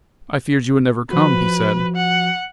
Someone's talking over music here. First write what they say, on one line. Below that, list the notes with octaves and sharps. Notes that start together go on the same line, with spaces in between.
"I feared you would never come," he said.
F3 F#4 B4
F#5